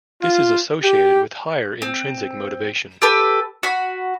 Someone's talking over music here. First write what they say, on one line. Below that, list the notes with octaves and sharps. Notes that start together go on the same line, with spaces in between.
This is associated with higher intrinsic motivation.
F4
G4
C4
G4 A4 B4
F#4 B5